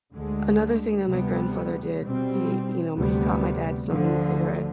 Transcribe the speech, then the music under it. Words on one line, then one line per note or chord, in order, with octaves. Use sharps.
another thing that my grandfather did, he, you know, my he caught my dad smoking a cigarette,
D2 D3 G#3
D2 C3 G3 B3
B2 G3 C4
D2 C3 G3 B3
D2 D3 F3